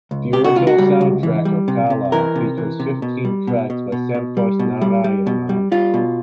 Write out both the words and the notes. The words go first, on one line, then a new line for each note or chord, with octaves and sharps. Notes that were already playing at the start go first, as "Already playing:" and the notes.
The original soundtrack of "Kaala" features fifteen tracks by Santhosh Narayanan.
C#2
C3 G4
F#4
C#2 F4
F#4
G3
C#2
E3
G3
C3
C3
E3 A#4
C3
E3
C3
B2
G3
B2
B2
B2
B2
G3
B2
G3
G3
B2
G3
G3 F4
B2